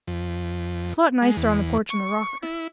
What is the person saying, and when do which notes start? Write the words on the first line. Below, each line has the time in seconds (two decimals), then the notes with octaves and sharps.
It's a lot nicer on the porch in the rocker.
0.07 F2
1.22 G#3
1.37 E2
1.90 C#6
2.43 E4